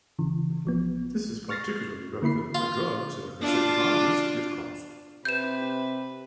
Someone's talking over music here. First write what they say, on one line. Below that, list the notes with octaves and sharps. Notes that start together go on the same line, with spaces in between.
This is particularly relevant for drugs that are considered high risk and cost.
G#1 C#3 E3
A#1 F3 B3
C#6 F6 A6 A#6 C7
D3 A#3 E4 B5 C7
F4
D4 F4
C3 B4 G6 E7